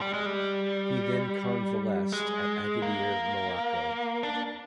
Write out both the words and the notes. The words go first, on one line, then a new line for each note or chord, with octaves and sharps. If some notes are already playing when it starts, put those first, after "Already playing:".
He then convalesced at Agadir, Morocco.
G3
G#3
G3
G#3
A#3
D4